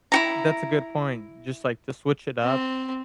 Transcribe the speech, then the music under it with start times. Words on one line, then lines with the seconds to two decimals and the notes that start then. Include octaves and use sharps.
That's a good point. Just, like, to switch it up.
0.12 E4 F#4 A#5
2.43 C4